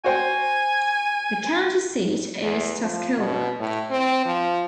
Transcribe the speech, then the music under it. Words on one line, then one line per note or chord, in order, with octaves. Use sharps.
The county seat is Tuscola.
F#4 C5 G5 G#5
E2
F3
B2
A2
C4
F3